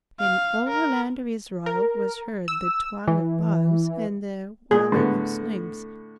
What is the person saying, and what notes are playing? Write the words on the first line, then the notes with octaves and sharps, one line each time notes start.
In all the land of Israel was heard the twang of bows and the whirling of slings.
F5
A#4
A#4
E6
E3
A#2 G#4
A2 D3 B3